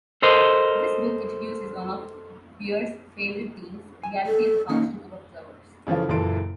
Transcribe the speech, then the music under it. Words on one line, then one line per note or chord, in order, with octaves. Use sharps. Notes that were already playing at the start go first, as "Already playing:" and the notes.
This book introduces one of Bear's favorite themes: reality as a function of observers.
A4 A#4 C5 D#5
G#5
A4
D#3 A#3 C#4 D#4
C#3 E3 F3 A3 F4
F#1 A#2 E3 A4 C6 D7